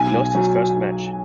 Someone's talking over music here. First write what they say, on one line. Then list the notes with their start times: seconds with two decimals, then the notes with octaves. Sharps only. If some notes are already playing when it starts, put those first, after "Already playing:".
He lost his first match.
Already playing: B1 G#5
0.13 B1
0.35 F#3